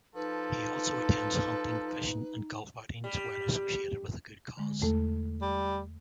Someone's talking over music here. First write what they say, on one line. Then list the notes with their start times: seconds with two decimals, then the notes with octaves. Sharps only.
He also attends hunting, fishing and golf outings when associated with a good cause.
0.15 F3 D#4 A4 B4
3.04 G3
4.57 D3 G#3
4.82 E2 A3 A4
5.41 G3